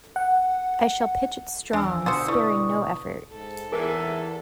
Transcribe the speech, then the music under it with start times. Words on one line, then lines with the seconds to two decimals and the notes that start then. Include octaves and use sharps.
I shall pitch it strong, sparing no effort.
0.16 F#5
1.73 E2 D4 G#5 E6
2.06 B2 D3 F4 F#4 C5 D#6 E6 C#7
2.28 A3 E4 B4 D5 C#6 D#6
3.33 G#2 A4
3.72 E2 G#2 C3 E3 G#4 A#4 G#5